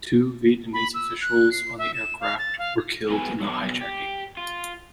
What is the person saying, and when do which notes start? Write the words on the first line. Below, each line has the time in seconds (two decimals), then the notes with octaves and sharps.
Two Vietnamese officials on the aircraft were killed in the hijacking.
0.73 B5
0.94 E6
1.21 F#6
1.52 C7
1.78 E5
1.94 E7
2.20 F5
2.39 A6
2.59 F5
3.09 E2 B2 G3 B4 G#5
3.41 E2 G2 B2 D3 F#3
3.81 G4
4.37 F4